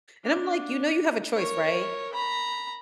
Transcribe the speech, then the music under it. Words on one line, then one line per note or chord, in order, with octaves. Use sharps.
and I'm, like, "You know you have a choice, right?
D4
A#4 C#5
A#5 B5